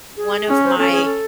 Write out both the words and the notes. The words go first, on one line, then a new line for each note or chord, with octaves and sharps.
one of my
G#4
C#4
C5
C#4 A4
G#4
A4